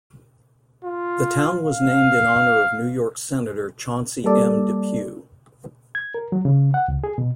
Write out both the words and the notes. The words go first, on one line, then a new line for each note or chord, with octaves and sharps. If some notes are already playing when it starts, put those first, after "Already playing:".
The town was named in honor of New York Senator Chauncy M Depew.
F4
F5
G3 A#3 A4 D5
G#6
A#4
F#3
C#3
F#5
C#2
G#4
B2